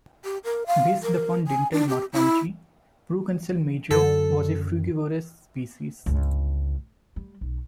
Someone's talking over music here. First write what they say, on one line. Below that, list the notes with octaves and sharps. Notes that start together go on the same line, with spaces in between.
Based upon dental morphology, "Proconsul major" was a frugivorous species.
G4
A#4
F5
A#4
G#5
D4
G4
E4
F#2 D3 A4
G1 C#2
G3
B1